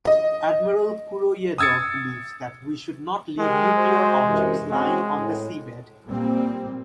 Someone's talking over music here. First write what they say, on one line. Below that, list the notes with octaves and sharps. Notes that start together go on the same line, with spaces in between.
Admiral Kuroyedov believes that "we should not leave nuclear objects lying on the seabed".
D#5
D#6 E6 G#6 A6 C#7
G#3 G4 A#4
F#4 C5
F#2 C3 E3
G#3 C4 C#4 F#4
A2
A#2 G3 A#3 C4